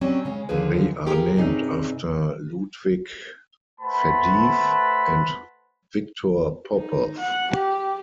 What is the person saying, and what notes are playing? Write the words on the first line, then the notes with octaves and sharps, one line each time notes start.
They are named after Ludvig Faddeev and Victor Popov.
F#3 G3 C4 C#4
C#3 G#3 C#4
D#2 D3 F3 A#3 G#4 B4
B3 F4 G4 G#4 A#4
G2 C3 C#4 D#4 G#4
A3 B4 C5 F#5 A5 B5
D#4
F#5
G4